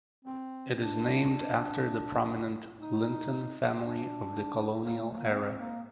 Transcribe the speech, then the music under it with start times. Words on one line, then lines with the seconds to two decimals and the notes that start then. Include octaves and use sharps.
It is named after the prominent Linton family of the colonial era.
0.25 C4
0.76 D4
2.79 D#4
3.81 D4
4.82 A#3
5.00 A3
5.17 A#3
5.33 C4
5.59 A#3